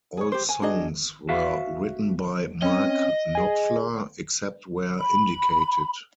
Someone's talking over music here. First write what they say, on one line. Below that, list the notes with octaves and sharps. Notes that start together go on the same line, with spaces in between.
All songs were written by Mark Knopfler, except where indicated.
G#4 C#5
G4 C5
G#5
D4 F#4 G#4 D#5
F#4 E5 F5
C4 C#4 D#5
G#4 G#5
B5